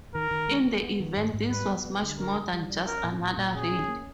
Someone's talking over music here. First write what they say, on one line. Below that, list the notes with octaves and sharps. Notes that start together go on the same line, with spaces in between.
In the event, this was much more than just another raid.
D#3 A#4
D#3
G#3
B3
B3
D#3
G#2
G#2
G3 B4
B3
G3
D3
D4 A#4
G3
G3
D4
C#4 A#4
A#2
A#2
A#2
C#4 G#4
C#4
A#3